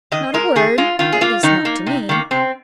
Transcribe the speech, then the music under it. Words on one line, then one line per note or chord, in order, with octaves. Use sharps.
"Not a word--at least not to me."
D#3 D#5
G#3 A#4
D#3 G#4
G#3 F4
D#3 F4
G#4
A#3 F4
D#3 D#4
A#3
C3
D#3 A#3
C3 C4